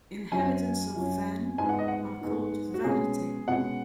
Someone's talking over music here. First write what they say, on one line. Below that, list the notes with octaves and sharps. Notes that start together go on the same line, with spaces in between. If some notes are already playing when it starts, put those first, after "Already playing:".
Inhabitants of Vannes are called "Vannetais".
F#2 F#3 C#4 G#5
F#2 F#3 C#4
G#2 G#3 B3 D#4 G#5
F#5
D#5
F#5
G#2 G#3 B3 D#4
F#4
B2 G#3 C#4 G#4
B2 G#3 C#4 F#5